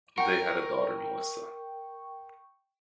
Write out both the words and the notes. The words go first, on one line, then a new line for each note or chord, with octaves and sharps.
They had a daughter, Melissa.
A#4 F#5 G5 C#6